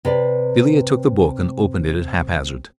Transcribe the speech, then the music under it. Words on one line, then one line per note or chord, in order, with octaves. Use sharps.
Villiers took the book, and opened it at haphazard.
C3 B4 D5